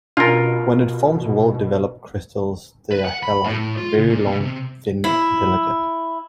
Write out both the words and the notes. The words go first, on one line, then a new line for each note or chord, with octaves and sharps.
When it forms well developed crystals they are hairlike; very long, thin, and delicate.
B2 C#4 D4 F4 A#4 A6
B4
F#5
B5
A2
A2
F4
C#3
A#2
B2
C3
E4